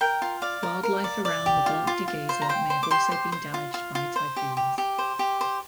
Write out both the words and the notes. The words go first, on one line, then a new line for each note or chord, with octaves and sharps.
Wildlife around the Banc du Geyser may also have been damaged by typhoons.
A#4 G5
F4
D5 F5
A#4
A#4
D5
D5
G4
F4
F4
F4
C5
A#5
C5 G5
C5
D6
G4 C5 C6
C5
C5
F4
F4
F4
C5
G4
G4
G4
C5
G4
C5